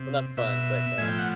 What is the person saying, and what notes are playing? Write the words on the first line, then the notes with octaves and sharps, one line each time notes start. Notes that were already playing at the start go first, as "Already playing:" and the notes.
Well, not fun, but, uh,
Already playing: C3
B2 E5
A2 F3 G#5
G5
F#5